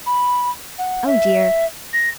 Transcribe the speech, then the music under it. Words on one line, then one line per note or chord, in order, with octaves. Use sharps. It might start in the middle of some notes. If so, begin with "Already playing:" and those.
Oh dear!
B5
F#5
E5
A#6